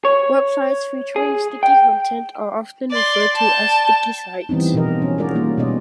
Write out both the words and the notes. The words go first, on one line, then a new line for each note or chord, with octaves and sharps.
Websites featuring sticky content are often referred to as sticky sites.
C#5
G#4
G5
D5 C6
G5 A5
E3 G3 B3 C4 D#4
B2 F3 D#4 A#4 D#5
C#4
G#3 D#4 F4 F#4 A#4 D5
G3 A#3 F4
B2 G3 B3 C#4 D5 D#5